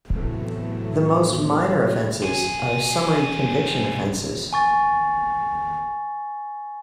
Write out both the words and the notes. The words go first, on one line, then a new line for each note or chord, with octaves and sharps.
The most minor offences are summary conviction offences.
A2 C3 E3 F#3 A3 B3
C3 G#4
G#5 C#6 A6